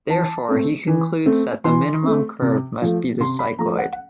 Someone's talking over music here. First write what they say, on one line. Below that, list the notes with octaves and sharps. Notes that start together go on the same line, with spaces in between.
Therefore, he concludes that the minimum curve must be the cycloid.
E3 A5
A3 C4
E3
A3 C4
E3 C6
A3 C4
C3
F3 A3
C3 C6
B5
F3 A3 A#5
F#5
F#5